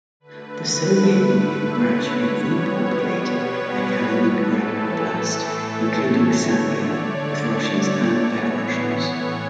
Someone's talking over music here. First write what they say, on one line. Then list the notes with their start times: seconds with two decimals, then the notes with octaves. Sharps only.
The Soviet Union gradually repopulated the Kaliningrad Oblast, including Sambia, with Russians and Belarusians.
0.20 D3 A3 B4
1.67 C#5
2.17 B2 G3 B3
3.15 B4
4.13 A2 E3 A3 A4
5.60 C#5
6.10 D3 A3
6.59 D5
7.07 C#5
8.05 A2 E3 B3
9.04 C#5